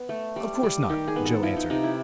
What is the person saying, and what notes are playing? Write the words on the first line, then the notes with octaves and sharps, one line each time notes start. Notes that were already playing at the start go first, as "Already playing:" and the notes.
"Of course not," Joe answered.
Already playing: B3
A3
G3
G3
D#3 G4
G#4
B3
A4
F3 E4
D#4
C3 D#4
E4